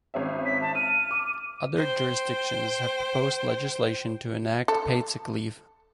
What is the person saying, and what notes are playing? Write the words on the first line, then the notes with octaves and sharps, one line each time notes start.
Other jurisdictions have proposed legislation to enact paid sick leave.
G#1 C#4 E5
B6
A5
F6 D#7
D6
C5 G5
A4